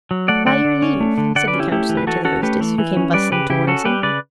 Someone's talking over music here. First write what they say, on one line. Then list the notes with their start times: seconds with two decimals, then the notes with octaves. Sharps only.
"By your leave!" said the Councillor to the Hostess, who came bustling towards him.
0.11 F#3
0.28 A3 D5 F#5
0.46 D3 D5 F#5
0.65 D3
0.82 C#4
1.00 A3
1.18 D3
1.35 D3 D5 F#5
1.47 B4 D5
1.54 C#4
1.59 E4 G4
1.72 A3 E4 G4
1.90 E3
1.97 B4
2.07 E3 F#4 A4
2.25 C#4 F#4 A4
2.43 A3 G4 B4
2.61 E3
2.78 E3
2.97 C#4
3.14 G3 B4 D5
3.32 C#3 G4 B4
3.50 C#3 E4 G4
3.67 C#4 F#4 A4
3.85 G3 G4 B4
4.03 C#3 B4 D5